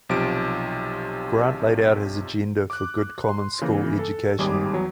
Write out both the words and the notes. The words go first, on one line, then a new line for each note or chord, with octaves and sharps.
Grant laid out his agenda for good common school education.
B1 C3 F3 D7
D6 F#6
C6
C#3 E3 A#3
A4
G#1 D#2 G3 G#3 G#4 D6
E2 F#3